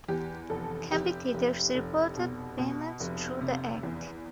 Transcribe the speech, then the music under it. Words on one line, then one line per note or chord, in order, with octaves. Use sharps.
Competitors reported payments through the act.
E2 G4
F1 A4
F1 G4
F1
F1
B2
B2
F1
C3
E2